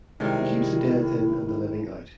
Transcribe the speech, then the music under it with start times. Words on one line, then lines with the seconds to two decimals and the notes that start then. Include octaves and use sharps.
He keeps the dead in and the living out.
0.20 C3 D#3 G3 G#3 E4